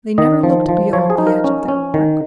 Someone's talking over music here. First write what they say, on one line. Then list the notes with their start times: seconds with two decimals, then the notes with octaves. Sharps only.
They never looked beyond the edge of their work.
0.18 D#3 D#5
0.43 F3
0.69 F3
0.93 F3 C#5
1.10 G#4
1.18 D#4
1.27 A#4
1.44 C#4
1.68 C#4
1.94 D#3